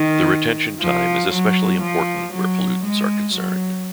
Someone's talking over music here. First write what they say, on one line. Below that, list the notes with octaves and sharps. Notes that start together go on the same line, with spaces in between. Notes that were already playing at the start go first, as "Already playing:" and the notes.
The retention time is especially important where pollutants are concerned.
Already playing: D#3
F3
F#3
F3
F#3
G#3
F#3